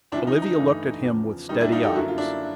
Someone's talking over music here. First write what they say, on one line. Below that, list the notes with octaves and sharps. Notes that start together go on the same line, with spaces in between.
Olivia looked at him with steady eyes.
D2 C#3 F3 D4 E4
D#4
D#4
G2 E3 A3
E2 C#3 F3
D#2 D#3 G3 D#4
D4 E4
D#4 F4
G4 A4
F#2 D3 F#3 A#3 E4 F#4
F4
D4 E4